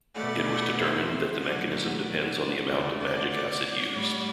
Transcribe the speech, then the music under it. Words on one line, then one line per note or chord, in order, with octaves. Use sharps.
It was determined that the mechanism depends on the amount of magic acid used.
B2 A3 D5 F#5
C5 E5
B2 F#3 A3 D5 F#5
D5 F#5
D5 F#5
E2 D3 A3 D5 F#5
D5 F#5
D5 F#5
A2 G3